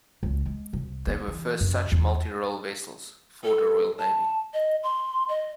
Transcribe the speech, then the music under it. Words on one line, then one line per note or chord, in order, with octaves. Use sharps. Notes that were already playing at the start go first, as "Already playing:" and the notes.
They were first such 'multi role' vessels for the Royal Navy.
C#2
G#3
C2
B3
E3
F#2
E2
A4
A5
D#5
C6
D#5